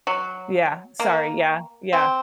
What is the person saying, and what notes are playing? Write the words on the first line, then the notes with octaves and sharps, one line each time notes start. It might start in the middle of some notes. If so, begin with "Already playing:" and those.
Yeah. Sorry, yeah, yeah.
F#3
A#3
C4